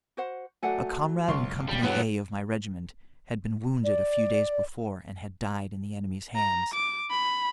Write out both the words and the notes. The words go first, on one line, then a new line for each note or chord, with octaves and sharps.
A comrade in Company A of my regiment had been wounded a few days before and had died in the enemy's hands.
F#4 C5 F#5
F#3 A3 D5 F#5 G#5
F#1 C#2 C6 C#6
G3
G2 B2 F3 F#3 B3
D5
A#5
D6
B5